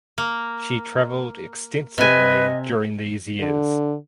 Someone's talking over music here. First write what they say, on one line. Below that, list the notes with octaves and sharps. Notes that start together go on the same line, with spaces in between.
She travelled extensively during these years.
A#3
C3 B4 D#5 G#5
D3